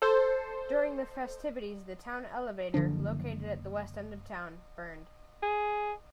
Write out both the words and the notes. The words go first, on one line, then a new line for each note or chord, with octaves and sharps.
During the festivities the town elevator, located at the west end of town, burned.
A4 C5
F#1 D3 F3 D4
G#4